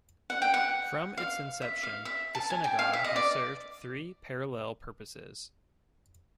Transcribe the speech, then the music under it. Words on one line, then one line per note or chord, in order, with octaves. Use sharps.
From its inception the synagogue has served three parallel purposes.
F#5
G5
F#5
F5
E5
F5
E5
A5
G#5
G5
F5
E5
D#5
D5